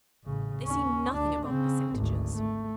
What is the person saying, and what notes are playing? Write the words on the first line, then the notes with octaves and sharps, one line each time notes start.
They see nothing above percentages.'
A1 C#3
D#2 C#4
D2 D4
C#3 C4
G#1 D2
A3